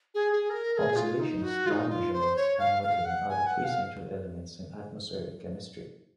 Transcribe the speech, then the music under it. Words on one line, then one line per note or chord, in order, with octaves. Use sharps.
Observations, lab measurements, and modeling are the three central elements in atmospheric chemistry.
G#4
G#4
A#4
A#4
G#4
F4
D#4
F#4
F4
D#4
F4
C5
C#5
F5
F5
F#5
G#5
F#5
F5